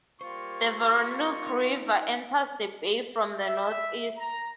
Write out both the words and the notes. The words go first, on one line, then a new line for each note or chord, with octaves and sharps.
The Veronique River enters the bay from the northeast.
G3 A#3 F4 C5 C#6
D#4
E5
A#5